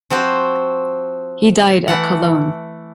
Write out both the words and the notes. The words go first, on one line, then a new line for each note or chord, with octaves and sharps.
He died at Cologne.
F3 C4 F#4 C5
E3 A3 F#5